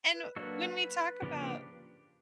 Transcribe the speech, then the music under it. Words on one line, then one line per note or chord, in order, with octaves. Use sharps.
And when we talk about
B4
F#3 A#3 D4 F#4 A4 B4 D#5
C#3 F3 A#3 D4 G4